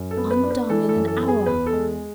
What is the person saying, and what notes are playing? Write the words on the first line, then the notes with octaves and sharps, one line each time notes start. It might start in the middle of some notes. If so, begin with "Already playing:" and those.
Undone in an hour!
Already playing: F#2
A4
B3
B4
D4
B4
E3 A4
A4
F#2
A4
B3
G#4
E2 B4
A4
G#3